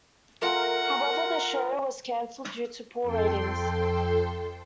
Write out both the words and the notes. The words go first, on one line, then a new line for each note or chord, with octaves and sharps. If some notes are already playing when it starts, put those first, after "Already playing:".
However, the show was cancelled due to poor ratings.
A3 F4 A#4 F#5 G#5
F2 A4 G5 C6